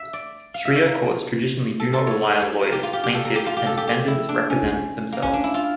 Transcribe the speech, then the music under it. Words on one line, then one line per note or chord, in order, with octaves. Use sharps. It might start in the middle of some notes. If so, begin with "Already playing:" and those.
Sharia courts traditionally do not rely on lawyers; plaintiffs and defendants represent themselves.
Already playing: E5
D5
F5
E5
C#5
A#4
A4
A4
C#5
C#5
A#4
G4
F4
G4
G4
A4
A#4
G4
F4
G4
A4
G4
G4
E4
D4
C#4
A#3
C#4
D4
E4
F4